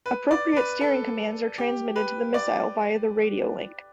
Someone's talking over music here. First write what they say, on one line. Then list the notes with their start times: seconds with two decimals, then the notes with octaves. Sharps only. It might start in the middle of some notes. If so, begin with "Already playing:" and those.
Appropriate steering commands are transmitted to the missile via the radio link.
0.06 B4
0.31 D5
0.56 B4
0.81 A4
1.58 G4
1.96 B4
2.34 D5